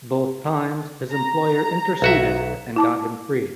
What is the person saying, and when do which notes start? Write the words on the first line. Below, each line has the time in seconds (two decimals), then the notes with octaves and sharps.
Both times his employer interceded and got him freed.
1.10 A#5
2.02 B1 F#4 E5
2.76 E4 A5 D6